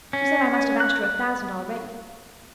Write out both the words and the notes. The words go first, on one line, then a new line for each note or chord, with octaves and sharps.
She said I must have asked her a thousand already.
C#4
F#6